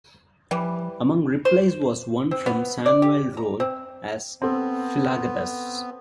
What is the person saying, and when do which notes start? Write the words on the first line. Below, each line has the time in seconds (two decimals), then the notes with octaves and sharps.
Among replies was one from Samuel Rolle as Philagathus.
0.51 E3 F3 G3
1.45 C5
2.31 C4
2.46 B3
2.86 D5
3.02 G4
3.37 A#5
3.60 C4
4.42 B3 C4 A4